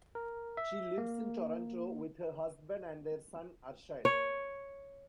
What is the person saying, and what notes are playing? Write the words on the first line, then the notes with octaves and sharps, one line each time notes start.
She lives in Toronto with her husband and their son, Arshile.
A#4
E5
A#3
C#5